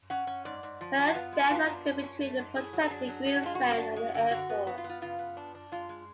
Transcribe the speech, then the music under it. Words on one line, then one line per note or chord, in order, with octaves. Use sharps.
Her death occurred between the protected Green Zone and the airport.
C#4 F#5
C#4
G#2 D5
G#2
F3
F3
F#4
B3 F4
G#3
B3 F4
D4
G#2
C#4
A3
G#2
A2 G#4
F#3
A4
D4 G#4
F#3
D4 G#4
F#4
G#3 F4
F#4
C#3
D4
G#3
D3
D3 F#4
B3
B3 F#4
F4
B3
F4
C#3 F4
B3
D4
D4
G#3 F4
G#3